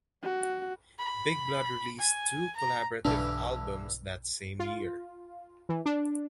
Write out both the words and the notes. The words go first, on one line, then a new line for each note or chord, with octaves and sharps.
Big Blood released two collaborative albums that same year.
F#4
B5
G#5
A#5
B1 G2 B2 D3 E3 D4
F4
E3
D4